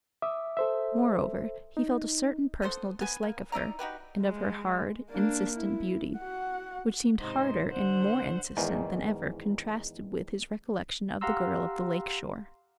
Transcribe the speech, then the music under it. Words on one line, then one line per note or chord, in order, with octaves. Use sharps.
Moreover, he felt a certain personal dislike of her and of her hard, insistent beauty, which seemed harder and more insistent than ever contrasted with his recollection of the girl of the lake shore.
E5 D6 D#6
A4 C5 E5
D#4
B3 A4 C5 C6
B3 B4 G#5
A#3
D#4 E4 D5 A#5
D#4 F#4 G4 B4
G#3
A#3 D4
E4
F#4 F#5
G#2 C3 D#4 C5 C6
D3 C5 F#5
E2 G#2 D#3
G4 F5 F#5 A#5 C6 E6